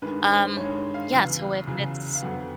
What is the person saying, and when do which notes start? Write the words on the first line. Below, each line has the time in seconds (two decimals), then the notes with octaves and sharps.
Um, yeah, so if it's
0.02 G2 D#3 G#3 B4
0.30 C5
0.57 G2 D#3 G#3 C#5
0.94 F5
1.12 E2 C#3 F#3
1.67 E2 C#3 F#3
2.15 F5
2.22 F2 D3 F#3 B3 F#5